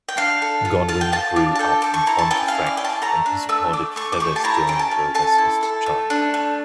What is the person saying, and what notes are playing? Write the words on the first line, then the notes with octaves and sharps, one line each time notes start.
Godwin grew up in Pontefract and supported Featherstone Rovers as a child.
G5
D4 F5
A4
F4
F4 A5
G5
F4 A5
D4
A5
A4 G5
A4 D6
C#6
E4 A#5
A5
C#4 G5
F5
E4
D5
C#4 G5
A5
A3 A#5
D4
A3 E6
A3 D6
A3 C#6
D6
G4 C#6
A5
E4 A#5
C#4 G5
A5
C#4
A4 A5
E4
A4
A3
D4
A3